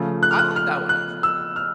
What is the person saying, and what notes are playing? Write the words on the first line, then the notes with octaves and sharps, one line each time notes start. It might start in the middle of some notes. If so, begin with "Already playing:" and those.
Ooh, I like that one, actually, I do enjoy that
Already playing: C#3 F3 A3
F#6
F6
F#6
F6
F#6
E6
F6